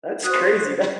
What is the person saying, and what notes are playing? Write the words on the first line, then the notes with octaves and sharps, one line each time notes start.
that's crazy. That
F#4 C5 D#6 F#6